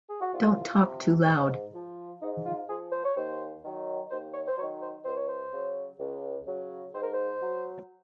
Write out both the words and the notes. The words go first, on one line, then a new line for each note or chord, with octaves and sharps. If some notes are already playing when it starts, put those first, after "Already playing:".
Don't talk too loud.
G#4
F#4
C2 F4
C3 F3
G#2
F3
G#2 D#4
F4
F3 G#4
C5
C#5
D#2 C5
D#3 F#3
D#2 C5
C#5
C5
D#3 F#3 C#5
C5
C#2 C5
C#5
C5
C#3 F#3
C#2
C#3 F#3
G#2 C5
A#4
C5
F#3